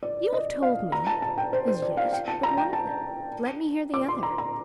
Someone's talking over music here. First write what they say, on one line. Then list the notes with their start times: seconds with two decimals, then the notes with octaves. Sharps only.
"You have told me as yet but one of them--let me hear the other."
0.03 D5
0.32 D#5
0.63 F5
0.92 A#5
1.07 A5
1.22 A5
1.38 G5
1.53 C5
1.68 C5
1.82 D5
1.97 F5
2.13 G5
2.28 A5
2.43 A#5
2.57 G5
2.73 A5
3.94 D6
4.08 C6
4.23 A#5
4.38 A#5